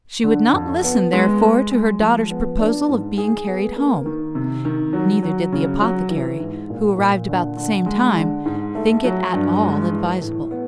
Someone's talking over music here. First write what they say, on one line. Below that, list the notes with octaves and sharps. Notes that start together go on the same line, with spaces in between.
She would not listen, therefore, to her daughter's proposal of being carried home; neither did the apothecary, who arrived about the same time, think it at all advisable.
D3
F2
B3
G#3
G#3
G#3
F3
B3
D4
G#2
G#4
B3
A#3
D#3
C3
D#3
F#3
F#3
C#3
F#3
E3
G#2
A#2
A#2
D3
D3
G#3
D3
G#2
A3
F#3
G2
G#3
E3
A2
B3